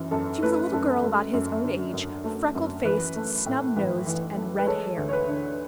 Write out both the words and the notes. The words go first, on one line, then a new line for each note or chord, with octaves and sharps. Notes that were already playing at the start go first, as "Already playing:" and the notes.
She was a little girl about his own age, freckle-faced, snub-nosed and red-haired.
Already playing: F#2 E3
F#2 A4
A3 B4
F#2 A4
A3
F#2
D3
F#2
A3
F#2
E3 B4
A3
A2
A1 B4
E3
A3
B4
G#3 A4 C#5
D2
C#5
B4
D3